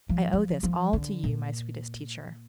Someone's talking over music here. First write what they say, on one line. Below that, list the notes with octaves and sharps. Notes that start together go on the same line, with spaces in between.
I owe this all to you, my sweetest teacher.
F3
F3
F3
D3
A#2